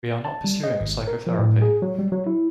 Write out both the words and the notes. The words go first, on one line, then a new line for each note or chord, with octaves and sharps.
We are not pursuing psychotherapy.
A5
G3
D#5
G#1
A#4
F3
A2
G#4
F#3
G3
F#3
E4